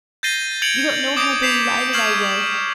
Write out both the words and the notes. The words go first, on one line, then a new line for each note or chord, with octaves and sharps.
You don't know how delighted I was.
G6 A6 A#6 C7 D#7 G7
G#6 A6 C#7 D7 F7 F#7
D6 D#6 G6 D7
G6 B6 C7 E7 F7
C7 D7
C#6 F6 G#6 C7 E7 F#7